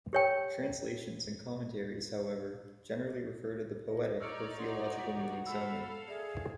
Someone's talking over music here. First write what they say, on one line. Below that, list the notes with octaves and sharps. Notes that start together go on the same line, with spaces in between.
Translations and commentaries, however, generally refer to the poetic or theological meanings only.
G4 C#5 G5
D#5
D#4 C#5 D5 E6 F6 C#7
F#4 C6
F4 B6
A4 F5 B5 E6
G#4 D5 E5